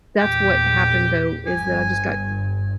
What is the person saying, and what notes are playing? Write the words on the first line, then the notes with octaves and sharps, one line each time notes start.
that's what happened though, is that I just got
E2 A#2 G4
G1 G2 G#5